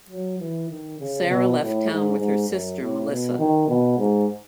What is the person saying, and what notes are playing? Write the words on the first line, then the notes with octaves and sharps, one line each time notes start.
Sarah left town with her sister, Melissa.
F#3
E3
D#3
C#3
B2
A2
G#2
G#2
F#2
A2
B2
D#3
B2
G#2